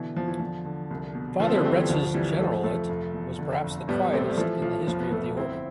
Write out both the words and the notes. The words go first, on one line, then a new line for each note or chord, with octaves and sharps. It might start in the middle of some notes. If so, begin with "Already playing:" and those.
Father Retz's generalate was perhaps the quietest in the history of the order.
Already playing: B2 D3 E3
E2 F3
E3
D3 F3
D3
C2
B2
D3 F3 A3
C4
G3 B3
G1 A3 C4
E3
D2 F3
C3 E3 G3
F2 F3 A3
F1 F3 A3
F1
E2
D3
F1
A2 G3 B3
A1 A3 C4
G3
E3 F3 A3
B1 F3
F1 F3
B3
F1 F3 A3
G1 C4 E4